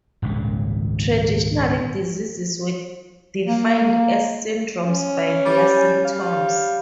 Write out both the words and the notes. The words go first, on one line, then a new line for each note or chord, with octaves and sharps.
Traditionally diseases were defined as syndromes by their symptoms.
D#1 G#1 C#2 A#2
A#3
C#4
G3
G3 F5